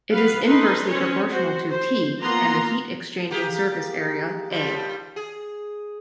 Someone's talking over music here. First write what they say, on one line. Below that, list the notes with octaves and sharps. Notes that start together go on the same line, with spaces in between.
It is inversely proportional to "T" and the heat-exchanging surface area "A".
B3 B4 F5
D#4 A4 B4 C6
C4 C#4 C#5
F#4 C5
C5
A#3 B3 F4 A#5 C6
A#3 G4 G#4
D#2 F3 G3
G#4